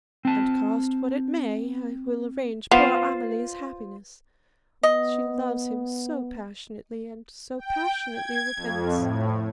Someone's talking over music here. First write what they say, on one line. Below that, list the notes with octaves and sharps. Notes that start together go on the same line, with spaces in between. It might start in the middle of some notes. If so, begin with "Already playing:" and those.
And cost what it may, I will arrange poor Amelie's happiness, she loves him so passionately, and so passionately repents.
C4 A5
B3 F4 C5 F5
B3 D#5
G5
G#6
F2
A2